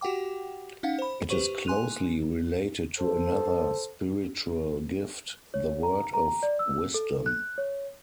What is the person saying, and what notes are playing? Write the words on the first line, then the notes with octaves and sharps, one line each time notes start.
It is closely related to another spiritual gift, the word of wisdom.
F#4 G4 F#5 G5 D6
C#4 D#4 F5 F#5
C5 B5
G4 B4 C5 C#6 D#7 F#7
G#5 C6 F#6 D#7 F7
A4 C5
C#5
A#5
A#5
D5
E6
A4
F#6
C#5